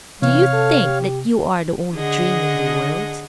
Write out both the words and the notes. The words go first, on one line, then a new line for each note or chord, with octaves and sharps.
Do you think that you are the only dream in the world?
C3 E3 C#5 F5
A4
G4
D3 G#4 D#5 F#5